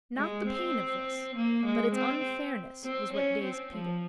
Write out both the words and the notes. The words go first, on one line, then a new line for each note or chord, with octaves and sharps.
Not the pain of this but its unfairness was what dazed Peter.
G#3
C4
A#3
G#3
C4
C4
C#4
C4
F3